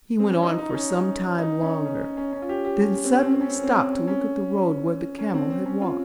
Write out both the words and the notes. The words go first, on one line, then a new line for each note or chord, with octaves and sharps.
He went on for some time longer, then suddenly stopped to look at the road where the camel had walked.
C4
C#4
D#4
D#4
D#4
C#4
C#4
D#4
C#4
C#4
C#4
C#4
C#4
F4
G4
G4
C#4
C4
C#4
C4
C#4
C4
C#4
C4
C#4
C4
C4
C#4
C#4
C#4
C4
C4
C#4
F4